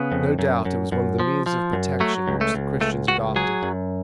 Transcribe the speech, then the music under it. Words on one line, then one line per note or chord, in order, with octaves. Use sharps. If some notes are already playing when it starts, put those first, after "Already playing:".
No doubt it was one of the means of protection which the Christians adopted.
Already playing: C#3 B3
F2
F#2
F#2
F#2
F3
F3
F#2
F#3 A3
C#2
A3
C#2
C#2 A3
C#2 F#4
F#3 G#4
F#2